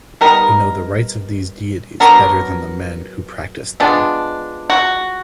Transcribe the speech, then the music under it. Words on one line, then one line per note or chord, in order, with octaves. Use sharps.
We know the rites of these deities better than the men who practiced them.
G3 B3 D#4 A#4
F#3 B3 D4 A#4
F3 G#3 B3 D4
F#4